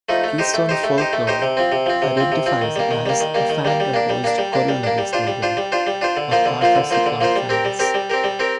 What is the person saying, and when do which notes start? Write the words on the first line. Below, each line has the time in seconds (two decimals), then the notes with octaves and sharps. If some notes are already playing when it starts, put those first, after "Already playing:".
"Keystone Folklore" identifies it as a "fan-composed corollary slogan" of Arthur C. Clarke fans.
0.09 F3 A3 D#4
0.24 A3
0.38 D#4 G4 C5
0.54 A3
0.69 D#4 G4 C5
0.84 A3
0.98 D#4 G4 C5
1.13 A3
1.27 D#4 G4 C5
1.42 C3
1.57 F3 C4
1.72 C3
1.86 F3 C4
2.02 C3
2.17 F3 C4
2.32 C3
2.46 F3 C4
2.61 D#3
2.76 G3 A#3
2.91 D#3
3.06 G3 A#3
3.21 D#3
3.34 G3 A#3
3.50 D#3
3.65 G3 A#3
3.80 G3
3.94 A#3 D4
4.09 G3
4.24 A#3 D4
4.38 G3
4.53 A#3 D4
4.69 G3
4.84 A#3 D4
4.98 G3
5.13 D4 F4 C5
5.27 G3
5.42 D4 F4 C5
5.57 G3
5.72 D4 F4 C5
5.87 G3
6.01 D4 F4 C5
6.17 D3
6.31 F3 A#3 F4 C5
6.46 D3
6.61 F3 A#3 F4 C5
6.75 D3
6.91 F3 A#3 F4 C5
7.06 D3
7.21 F3 A#3 F4 C5
7.36 G3
7.49 C4 G4 A#4
7.65 G3
7.79 C4 G4 A#4
7.94 G3
8.10 C4 G4 A#4
8.24 G3
8.39 C4 G4 A#4